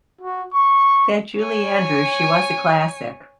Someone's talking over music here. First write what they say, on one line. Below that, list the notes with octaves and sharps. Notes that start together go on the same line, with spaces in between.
That Julie Andrews, she was a classic.
F#4
C#6
C#5 G#5